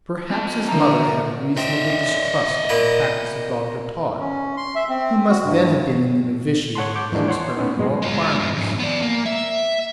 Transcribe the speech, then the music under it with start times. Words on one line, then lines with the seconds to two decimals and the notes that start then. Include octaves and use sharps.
Perhaps his mother had a reasonable distrust of the practice of Dr Todd, who must then have been in the novitiate of his experimental acquirements.
0.31 C4 A5
0.69 D3 A#4 E5 A#5
1.57 C4 D#5 E5
2.69 A#2 A#3 B4
4.19 C#4
4.57 C6
4.75 E5
4.89 C4
5.30 F#4
5.43 G2
6.75 C#5 F#5 A5 C6
6.96 D6 G6
7.12 D#2 E3 F3 G#3 A#3 D4
7.28 C#5 F#5 C6
7.57 B3 C#4 D#4
7.77 F#2 G#3 C6
8.02 G#3 F4
8.39 G2 F3
8.54 F2 G#2
8.79 B3 D5
9.02 A#3
9.26 E5